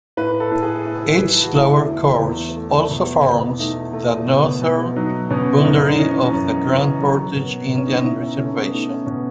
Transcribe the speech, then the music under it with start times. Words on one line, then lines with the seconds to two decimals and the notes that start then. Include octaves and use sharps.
Its lower course also forms the northern boundary of the Grand Portage Indian Reservation.
0.17 A2 B4
0.40 A4
0.51 A2
0.63 G#4
0.86 A2
1.20 E3
1.43 F#4
1.54 A3 E4
1.88 E2
2.22 E2
2.56 A3
2.91 B2
3.25 B2
3.59 A3 D#4
3.93 A3
4.27 B2
4.61 B2
4.96 F#3 D#4
5.30 B2 C#4
5.58 E4
5.65 F#2 D#4
5.90 D#4
5.98 E3 C#4
6.33 F#2
6.67 E3
7.01 F#3
7.36 B2
7.70 B2
7.78 C#4
7.86 D#4
7.97 D#4
8.04 B2 E4
8.21 C#4
8.38 A3 C#4
8.55 B3
8.72 A3 D#4
8.90 C#4
9.06 B2 C#4